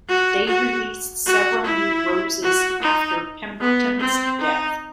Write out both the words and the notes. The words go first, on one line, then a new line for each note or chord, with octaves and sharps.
They released several new roses after Pemberton's death.
F#4
F#4
F#4
E4
F#4
D#4
B3
C4
D#4